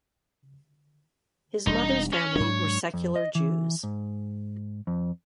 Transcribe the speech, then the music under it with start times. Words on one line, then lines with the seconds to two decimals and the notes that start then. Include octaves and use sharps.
His mother's family were secular Jews.
1.67 E1 G3 D4 D#4
2.13 C#4
2.36 G#2 F#3 D4 C#5
2.94 F2
3.16 D#5
3.35 E3
3.83 G#2
4.87 F2